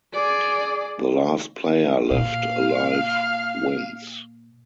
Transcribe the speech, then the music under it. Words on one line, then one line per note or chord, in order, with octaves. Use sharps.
The last player left alive wins.
G#4 D5
A#2 F5